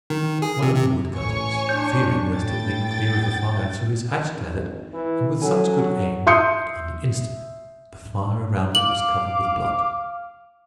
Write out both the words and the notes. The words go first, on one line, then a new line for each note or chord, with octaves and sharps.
One of the woodcutters, fearing lest it leap clear of the fire, threw his hatchet at it, and with such good aim that on the instant the fire around it was covered with blood.
D#3
G#4
C3
C3
A1 C#5 G#5 C#6
D4 G6
A2 G5 A6
G#1
E3
F#3 C#4 A4 G#5
F#5 C#6
E5 C6 D#6 G6 C#7
F5 D6 F#7